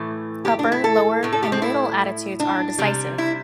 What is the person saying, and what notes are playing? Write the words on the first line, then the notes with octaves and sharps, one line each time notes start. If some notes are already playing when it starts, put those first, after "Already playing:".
Upper, Lower and Middle attitudes are decisive.
Already playing: A2 E3 A3
G4
D4
E4
A4
A2 A3
A4
G4
C4
E4
D4
C3 G3
E4